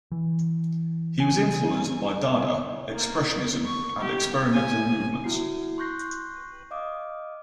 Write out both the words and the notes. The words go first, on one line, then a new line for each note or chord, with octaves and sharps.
He was influenced by Dada, Expressionism and experimental movements.
E3
G#5
A#3
C#6
G4
G#5
E4 F#4 C7
C6 C#6 F#6 G6 A#6 C7
D#5 F5 D6 D#6